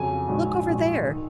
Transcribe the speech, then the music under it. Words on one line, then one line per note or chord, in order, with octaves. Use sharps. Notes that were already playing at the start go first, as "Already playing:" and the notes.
Look over there!
Already playing: F2 C#3 F#3 G#5
A#1 G#2 F#3
A#1 G#2 F#3
D#3